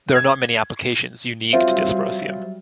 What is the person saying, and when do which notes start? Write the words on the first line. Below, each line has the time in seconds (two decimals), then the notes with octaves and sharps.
There are not many applications unique to dysprosium.
0.15 G#6
1.53 F#3 G3 C4 F4 E5